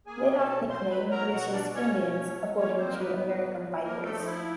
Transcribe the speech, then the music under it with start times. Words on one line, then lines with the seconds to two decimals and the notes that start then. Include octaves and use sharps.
They have nickname which is "indians" according to American bikers.
0.07 A#3 G#4 G#5
0.38 B2 A4 A5
0.69 F#3 C5 C6
0.90 B4 B5
1.01 F#3
1.11 A#4 A#5
1.32 B2 F#4 F#5
1.53 D4 D5
1.63 B2
1.74 C#4 C#5
1.95 B2
2.26 F#3
2.57 A#3 C#4 C#5
2.78 C4 C5
2.89 G#2 A#4
2.99 B3 B4
3.20 G#2
3.52 F3
3.83 F3 A#3 A#4
4.04 A3 A4
4.14 F3 D#4
4.25 E4